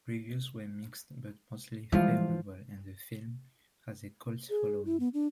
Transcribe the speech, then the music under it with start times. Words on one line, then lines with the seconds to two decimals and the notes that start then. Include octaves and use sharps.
Reviews were mixed but mostly favourable and the film has a cult following.
1.92 E3 F3 G3 G#3 F4
4.50 G#4
4.85 E4
5.00 B3
5.14 D4